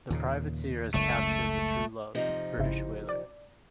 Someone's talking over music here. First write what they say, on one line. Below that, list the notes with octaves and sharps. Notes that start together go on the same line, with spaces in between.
The privateer has captured the "Truelove", British whaler.
D#2 A#2 C#3
F#1 C#2 A3
C3 F3 D#4
G#1 C#3 E4
D5